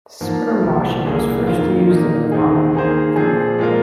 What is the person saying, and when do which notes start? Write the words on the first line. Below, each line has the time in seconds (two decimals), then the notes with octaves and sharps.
Sperm washing was first used in Milan, Italy.
0.21 G#2 F3 A#3
0.63 C2 A#2 F3
1.04 C2 A#2 A#3 G#4
1.47 F2 D#3 A#3 F4
1.89 A#2 A#3 D#4
2.32 D#2 D#3 C4 D#4 G#4
2.74 D#3 A#3 G#4 C5
3.16 A#2 F3 C4 G#4 C5
3.59 A#2 G#3 F4 A#4